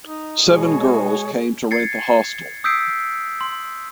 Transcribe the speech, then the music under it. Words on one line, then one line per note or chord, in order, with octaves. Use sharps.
Seven girls came to rent the hostel.
D#4
B2 G#3 G#4 C#5
G#6 A6 C7 C#7
D#6 E6 G6 B6 C7 D7
C6